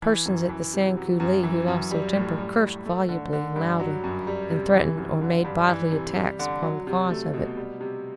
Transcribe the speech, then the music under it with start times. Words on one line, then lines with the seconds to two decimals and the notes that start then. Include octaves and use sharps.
Persons at the Sand Coulee who lost their temper cursed volubly and loudly, and threatened or made bodily attacks upon the cause of it.
0.02 E3
0.26 F#2
0.49 E3
0.73 C3
0.97 F#3
1.20 F#2
1.44 E3
1.68 F#2
1.91 G3
2.15 A2
2.38 G3
2.62 A2
2.85 A3
3.09 D3
3.33 D3
3.56 G2
3.80 F#3
4.04 F#2
4.27 G3
4.51 C3
4.74 E3
4.97 F#2
5.21 D3
5.44 G2
5.68 E3
5.92 C3
6.16 G3
6.39 D3
6.62 F#3
6.87 C3
7.10 A3
7.33 B2
7.57 G3
7.81 C3